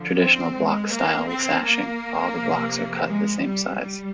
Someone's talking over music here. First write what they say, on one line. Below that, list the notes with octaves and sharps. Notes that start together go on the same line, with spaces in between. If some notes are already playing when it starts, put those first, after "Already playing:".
Traditional Block Style with Sashing - All the blocks are cut the same size.
Already playing: D3 F3
C4
G#3
A#3
C4
A#3
C3 F3
G#3
G3
G3